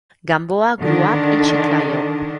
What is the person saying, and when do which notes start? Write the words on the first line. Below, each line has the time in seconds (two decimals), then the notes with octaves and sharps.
Gamboa grew up in Chiclayo.
0.82 D3 D#3 D4